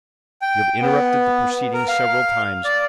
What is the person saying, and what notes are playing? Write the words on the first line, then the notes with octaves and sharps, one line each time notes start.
You have interrupted the proceedings several times.
G5
B3
A#4
F5
D5